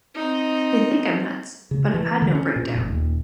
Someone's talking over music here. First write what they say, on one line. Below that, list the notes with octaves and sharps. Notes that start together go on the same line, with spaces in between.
They think I'm nuts, but I've had no breakdown.
C4 D#4
C#3
E3
D3
C#4
A#2
F1
D#1